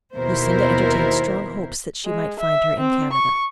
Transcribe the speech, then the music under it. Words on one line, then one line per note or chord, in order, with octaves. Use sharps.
Lucinda entertained strong hopes that she might find her in Canada.
D#2 B2 E4 A#4 C5
G#3
E5
C4
C#6